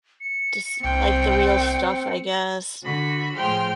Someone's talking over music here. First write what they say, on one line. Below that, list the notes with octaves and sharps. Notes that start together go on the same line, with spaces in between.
just like the real stuff, I guess.
C#7
C2 C4 G5
D3 F#4 B5 C#6
A2 F3 G#4 G5 C6 F6